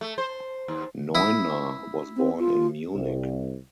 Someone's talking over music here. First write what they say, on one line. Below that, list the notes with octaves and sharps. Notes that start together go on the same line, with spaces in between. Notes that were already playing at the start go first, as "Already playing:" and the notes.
Neuner was born in Munich.
A3
C5
D#2
E4 D#6
C4
F4
C2